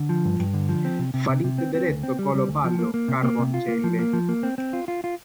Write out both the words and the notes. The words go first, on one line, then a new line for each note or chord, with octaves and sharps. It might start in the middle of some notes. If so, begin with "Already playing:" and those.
Falite dereto colo palo, Carvoncelle!
Already playing: D3
F3
G2
G2
D3
F3
C4
C3
C3
C3
C3
C4
C4
D2
C4
G3
G3
D2
F3
A#3
A#3
C3
A#3
C3
F4
A#3
F3
A#3
F3
A#3
C4
C4
F4
F4
F4